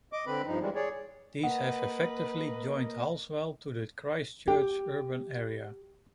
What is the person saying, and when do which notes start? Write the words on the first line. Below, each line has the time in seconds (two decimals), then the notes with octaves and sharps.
These have effectively joined Halswell to the Christchurch urban area.
0.13 D#5 D6
0.27 D3 C4 B4 B5
0.47 G2 F3 D#4
0.61 E3 G3 G#3
0.75 G#4 C#5 D5
1.44 A#3 B4 D#5 F#5
4.48 G4 G5